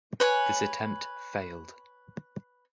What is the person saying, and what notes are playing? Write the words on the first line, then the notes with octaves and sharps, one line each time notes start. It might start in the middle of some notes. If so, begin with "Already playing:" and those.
This attempt failed.
B4 C#5 G#5